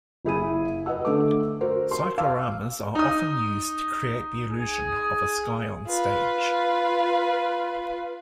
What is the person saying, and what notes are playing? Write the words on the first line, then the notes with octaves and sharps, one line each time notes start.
Cycloramas are often used to create the illusion of a sky onstage.
F#1 E4 G#4 D#7
B4 D#5 F#5 E6
D3 A3 D6
F#4 A#4 C5
C6
F5 D6 E6
D#4 D#6
G#4
F4 B4